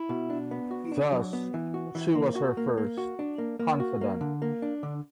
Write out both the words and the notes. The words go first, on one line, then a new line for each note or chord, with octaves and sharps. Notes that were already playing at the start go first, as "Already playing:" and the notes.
Thus, she was her first confidant.
Already playing: E4
B2
D4
B3
F#4
D4
F#3
B3
E3
F#4
E3
A#3
F#4
A#3
A#3
F#4
D4
A#3
A#3
F#4
A#3
D3
A#3
D4
D3